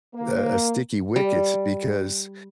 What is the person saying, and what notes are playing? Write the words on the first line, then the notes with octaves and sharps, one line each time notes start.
a a sticky wicket because
A#3
G3